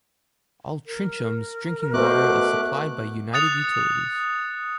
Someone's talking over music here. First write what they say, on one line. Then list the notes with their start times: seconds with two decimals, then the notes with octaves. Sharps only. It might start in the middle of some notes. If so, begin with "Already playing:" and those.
Altrincham's drinking water is supplied by United Utilities.
0.86 A#4
1.94 B2 A3 B3 C5 D6 F#6
3.33 D#6 F#6 A6 C#7 F7